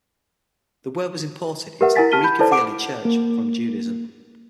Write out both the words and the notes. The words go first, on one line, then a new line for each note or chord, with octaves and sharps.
The word was imported into the Greek of the early Church from Judaism.
G4 A#4 B4 E5 F#5
E4 A#4 F#5 G#5 A6 B6
G4 A5 F6 B6 D#7 G7
B5 G6
E4 A4 B4 C5 D5 A5
F#5 D6 D7
A#3